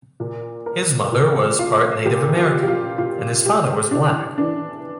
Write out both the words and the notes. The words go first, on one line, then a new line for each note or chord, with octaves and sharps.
His mother was part Native American, and his father was black.
A#2
A#4
A#2
F4
A#2 G4
F4
G4
F4
A#2 F4
G4
A2 D4
E3 D4